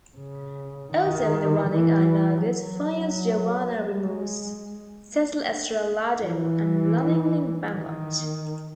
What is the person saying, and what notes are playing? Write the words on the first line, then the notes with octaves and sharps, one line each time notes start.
Also in the running are Naga's finest Joannah Ramores, Cecil Estrallado and Luningning Bangot.
C#3
D#3
E3
F#3
G#3
E3
D#3